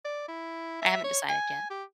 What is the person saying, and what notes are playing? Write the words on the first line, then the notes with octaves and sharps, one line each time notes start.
I haven't decided yet.
D5
E4
E5
C#5
G#5
G4